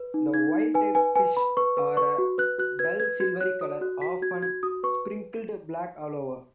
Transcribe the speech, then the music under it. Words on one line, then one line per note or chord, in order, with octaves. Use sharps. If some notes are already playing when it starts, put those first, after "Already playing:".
The wild-type fish are a dull silvery color, often sprinkled black all over.
Already playing: B4
D#4
D#4 G#6
D#4
B4 G#5
B4 G#5
B4 G#5
B4 B5
B4 C#6
B4
B4 C#6
F#4
B4 F#6
F#4 F#6
B4 G#6
B4 G#6
F#4 G#6
C#5 F#6
F#4 D#6
F#4 F#6
F#4 B6
F#4 G#6
F#4 G#6
F#4 D#6
B4 C#6